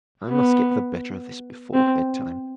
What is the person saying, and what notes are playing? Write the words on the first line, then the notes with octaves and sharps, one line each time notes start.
I must get the better of this before bed-time.
B3
C4